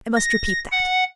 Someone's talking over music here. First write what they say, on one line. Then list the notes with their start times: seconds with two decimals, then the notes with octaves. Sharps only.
"I must repeat that."
0.16 A#6
0.72 F#5